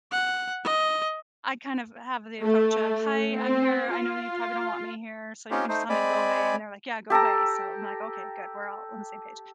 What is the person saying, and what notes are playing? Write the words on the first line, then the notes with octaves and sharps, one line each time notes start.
I kind of have the approach of, "Hi, I'm here, I know you probably don't want me here, so you can just tell me to go away," and they're, like, "Yeah, go away." So, I'm, like, "Okay, good," we're all on the same page,
F#5
D#5
A3
C4
F4
C4 C#4 D#4 F4 G4
A3 D#4 C5
G#3 C4 D5 G#5 B5
G4 A4 G5 A#5